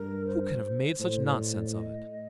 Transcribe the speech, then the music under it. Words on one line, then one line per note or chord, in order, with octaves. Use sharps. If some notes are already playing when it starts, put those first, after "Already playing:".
"Who can have made such nonsense of it?"
Already playing: G2 A#4
C5
A2 C5
C5
D5
D#5